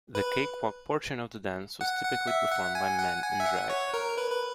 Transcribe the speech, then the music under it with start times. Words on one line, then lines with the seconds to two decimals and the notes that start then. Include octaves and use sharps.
The cakewalk portion of the dance was typically performed by men in drag.
0.15 B4
1.81 F#5
2.04 F#5
2.27 E5
2.51 F#5
2.75 G#5
2.99 F#5
3.23 G#5
3.40 E5
3.46 F#5
3.70 C#5
3.94 A#4
4.18 B4
4.31 B4